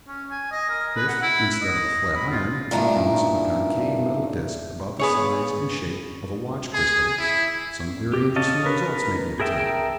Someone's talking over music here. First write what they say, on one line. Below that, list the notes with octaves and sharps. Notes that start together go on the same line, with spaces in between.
If, instead of a flat-iron, we use a concave metal disk about the size and shape of a watch crystal, some very interesting results may be obtained.
C#4
G#5
D#5
A#4
B4
F#5
E4
D#5
B5
F4
G2 A#2 D#3 D4 E4
B3 G#4 C#5
G#4
E4
G4
C#5 D#5 F5 A5
A#4 B4
G#4 A#4 E5 G5 A5